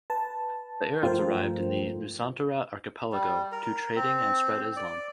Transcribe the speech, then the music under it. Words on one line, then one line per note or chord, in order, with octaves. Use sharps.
The Arabs arrived in the Nusantara archipelago to trading and spread Islam.
B4 A5
G2 F3 A3 F4 A#4 C5 G5
G3
A#4
C4
D5